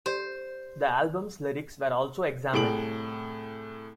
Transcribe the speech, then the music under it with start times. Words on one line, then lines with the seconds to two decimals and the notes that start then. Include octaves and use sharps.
The album's lyrics were also examined.
0.06 G4 C5 D5
2.52 C2 A2 G#4 D7 F#7